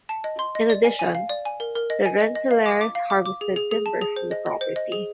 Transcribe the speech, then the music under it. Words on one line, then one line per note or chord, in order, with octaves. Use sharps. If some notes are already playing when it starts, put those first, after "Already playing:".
In addition, the Rensselaers harvested timber from the property.
A5
D#5
C6
D#5
D5
G#5
G#5
F5
D5
G#5
A#4
A#4
D#5
G#5
D#5
D#5
F5
D6
D6
F5
D6
D6
G#4
G#4
G#4
A5
G#4
C5
D#5
D#5
C5
D#5
G#4